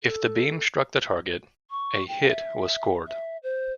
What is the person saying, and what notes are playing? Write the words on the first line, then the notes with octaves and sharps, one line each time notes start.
If the beam struck the target, a "hit" was scored.
A4
C#6
G5
E5
E5
C5